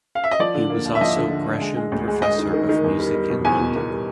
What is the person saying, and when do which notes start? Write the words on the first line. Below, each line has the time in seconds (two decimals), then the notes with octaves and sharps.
He was also Gresham Professor of Music in London.
0.15 F5
0.24 E5
0.31 D#5
0.39 F3 D5
0.54 D3
0.70 A#3
0.85 D#2
0.95 E5
1.01 F3 D#5
1.16 D3
1.31 D3
1.46 D3
1.61 G#3
1.76 G#3
1.92 D2
2.08 G#3
2.22 G#3 D#5
2.38 D#3
2.54 D#3
2.69 D#3
2.84 E2
2.99 G3
3.14 G3
3.30 B2
3.45 E2 G#5
3.59 B2
3.76 E2
3.90 G3